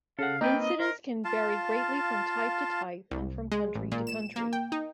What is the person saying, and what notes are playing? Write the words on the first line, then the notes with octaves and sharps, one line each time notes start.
Incidence can vary greatly from type-to-type, and from country-to-country.
C#3 A4 F5 F#5
A#3 C4 D#4 B4 G5
D#5
A#4 C5
F4 F5 A5
C2
G#3
A1
A#2
E7
A#3
G5
D#4